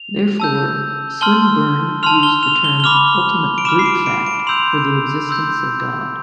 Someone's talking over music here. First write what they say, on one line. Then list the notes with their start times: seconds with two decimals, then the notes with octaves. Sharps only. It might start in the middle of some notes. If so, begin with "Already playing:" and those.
Therefore, Swinburne used the term "ultimate brute fact" for the existence of God.
Already playing: F7
0.40 A5 E6 G6
1.21 A5 C6 F6 G7
2.03 A5 C6 F6 F7
2.23 G7
2.43 F7
2.64 G7
2.80 G7
2.84 B5 D6 F6 F7
3.58 D7
3.65 B5 D6 F6 E7
3.79 C7
3.86 D7
4.06 D7
4.26 D7
4.47 C6 E6 G6 F7
5.29 C6 E6 G6